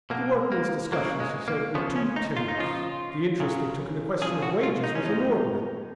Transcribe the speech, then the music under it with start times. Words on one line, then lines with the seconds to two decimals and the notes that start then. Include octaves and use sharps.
The workmen's discussions, he said, were too timorous; the interest they took in the question of wages was inordinate.
0.10 B2 F#3 A#3
0.52 A#3
0.92 C#3 F#3 A#3
1.20 G#3
1.48 A#3
1.75 C#3 F3 B3
1.96 C#4
2.16 D#4
2.37 F4
2.48 D#4
2.58 C#3 F3 F4
3.40 C#3 F#3
4.22 C#3 F3 G#4
4.42 F#4
4.63 F4
4.84 D#4
4.95 C#4
5.05 A#2 F3 D#4